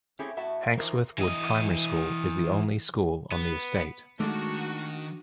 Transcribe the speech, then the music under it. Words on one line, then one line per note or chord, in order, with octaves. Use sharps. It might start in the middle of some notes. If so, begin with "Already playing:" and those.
Hawksworth Wood Primary School is the only school on the estate.
A3 C4 C#4 E4 G4 G#4
A2 F#4 E5 A5
E3 F3 D#4 F4 A#4 C5
E3 D#5
B3
D#3 G#3 A3 D4 F#4